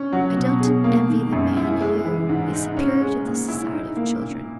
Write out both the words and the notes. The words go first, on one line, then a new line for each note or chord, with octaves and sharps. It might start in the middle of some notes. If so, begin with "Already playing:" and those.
I don't envy the man who is superior to the society of children.
Already playing: C#4
F#3
B2
G#4
A#3
D#3
F#2
E4
G#3
E3
G#2
D#4
C#4
G#3
A#2
E4
D#4
A#3
A#2